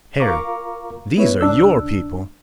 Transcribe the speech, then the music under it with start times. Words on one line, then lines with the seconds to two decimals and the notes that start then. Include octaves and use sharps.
"Harry, these are your people."
0.20 F4 A#4 F5 A#5 C#6 D6
1.17 B3 E4 B4 C#5
1.41 C#2 D4 E6